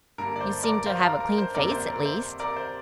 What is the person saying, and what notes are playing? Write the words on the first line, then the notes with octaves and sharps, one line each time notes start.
"You seem to have a clean face, at least."
G2 D3 A#3 A#4
D5
C5
A#4 D5
C5 F5
F5 A#5
A#4
C5
G1 F2 C3 A#3 A#4 D5
C5
A#4
C5
A#4 D5
C5